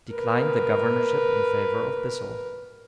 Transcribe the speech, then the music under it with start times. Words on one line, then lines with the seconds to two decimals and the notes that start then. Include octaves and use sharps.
Declined the governorship in favor of Bissell.
0.12 A#4 B4